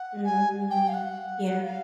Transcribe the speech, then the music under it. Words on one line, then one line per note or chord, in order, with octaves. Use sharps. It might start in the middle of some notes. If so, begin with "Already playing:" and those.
Mhm. Yeah.
Already playing: F#5
G#5
G5
F5
F#5
F5